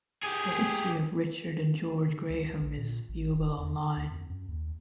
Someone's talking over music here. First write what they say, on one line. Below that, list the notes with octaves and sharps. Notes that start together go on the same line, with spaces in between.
A history of Richard and George Graham is viewable online.
G4 G#4
D3
C#2
A#1
A#2
A1
E1
E2
D3
D2
F2
F#2
D#2